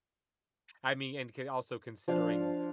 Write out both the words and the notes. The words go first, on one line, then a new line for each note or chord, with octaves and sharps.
I mean and can also considering
F3 D4 F5